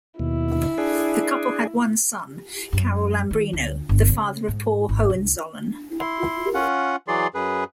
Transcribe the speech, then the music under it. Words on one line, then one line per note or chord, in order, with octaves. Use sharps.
The couple had one son, Carol Lambrino, the father of Paul Hohenzollern.
D#2 B2 E4
D4 G#4
F#2
D#3
D2
G1
C#3
G#2
G#1
C2
E4 C6
C#4 F4 F#5
E3 F#3 G#4 D5 C6
F#2 G#4 B4